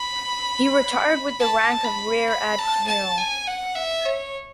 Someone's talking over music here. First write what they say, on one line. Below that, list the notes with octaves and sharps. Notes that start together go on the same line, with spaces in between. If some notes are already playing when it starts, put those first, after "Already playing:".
He retired with the rank of Rear Admiral.
Already playing: B5
A5
B5
B5
A5
A5
G#5
F#5
E5
C#5